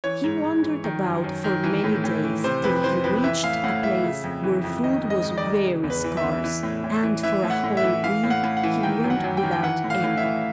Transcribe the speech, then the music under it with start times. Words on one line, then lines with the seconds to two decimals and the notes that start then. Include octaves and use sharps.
He wandered about for many days, till he reached a place where food was very scarce, and for a whole week he went without any.
0.04 E3 C#5
0.24 G#2
0.44 G#2
0.64 E3
0.84 D#3
1.04 F#2
1.24 F#2
1.44 D#3
1.64 E3
1.84 A2
2.04 A2
2.24 E3
2.44 C3 C5
2.64 F2 B4
2.84 E3 C5
3.04 F2 B4
3.24 E3 E5
3.44 A2 F5
3.64 A2 F#5
3.84 E3 E5
4.03 C#3
4.24 F2
4.43 E3
4.64 F2
4.83 D#3 D#5
5.04 G#2
5.10 D#5
5.23 G#2
5.38 D5
5.44 D#3
5.64 C#3
5.84 E2
5.90 B4
6.04 E3
6.17 E5
6.23 E2
6.44 E3
6.63 A2
6.84 A2
7.03 E3
7.23 E3 E5
7.43 A2
7.50 F#5
7.64 A2
7.77 E5
7.83 E3
8.04 E3 F5
8.24 A2
8.30 F#5
8.43 A2
8.57 F#5
8.63 E3
8.83 D#3 G5
9.04 F#2
9.10 F#5
9.24 F#2
9.37 G5
9.43 D#3
9.52 G5
9.63 E3 F#5
9.84 A2
9.90 F5
10.03 A2
10.17 E5
10.23 E3